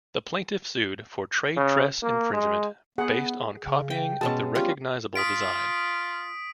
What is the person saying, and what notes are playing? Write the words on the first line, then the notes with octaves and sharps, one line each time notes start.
The plaintiff sued for trade dress infringement based on copying of the recognizable design.
C#3
A#3
G#3
B3 G#4 F#5
C#3
G5
B2 G#3 B3 C#4 A5
G3 C#4 F4
F4 D#6 B6 D7